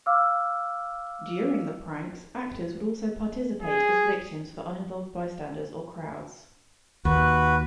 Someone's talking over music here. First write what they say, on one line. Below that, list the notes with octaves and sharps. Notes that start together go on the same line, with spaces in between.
During the pranks, actors would also participate as victims for uninvolved bystanders or crowds.
F5 D6 E6 F6
G#4
D#2 F#4 B4